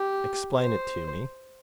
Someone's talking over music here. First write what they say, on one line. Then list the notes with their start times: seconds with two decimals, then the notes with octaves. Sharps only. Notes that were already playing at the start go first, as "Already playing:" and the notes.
"Explain it to me."
Already playing: G4
0.58 C5